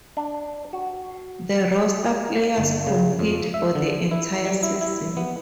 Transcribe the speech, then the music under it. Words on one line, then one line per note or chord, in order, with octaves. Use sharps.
The roster players compete for the entire season.
D4
F#4
G1
C#3
F2
E5
D3
E4
G3
E4
E4
B3